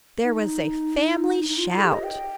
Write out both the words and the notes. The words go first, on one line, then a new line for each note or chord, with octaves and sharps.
There was a family shout.
D#4
D#4
F4
A4
G4
D#5
G5